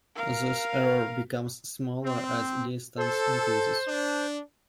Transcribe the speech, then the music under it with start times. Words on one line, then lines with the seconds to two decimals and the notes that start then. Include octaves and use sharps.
This error becomes smaller as distance increases.
0.15 A#4 F5
2.02 C4
2.97 A4 C5
3.87 D4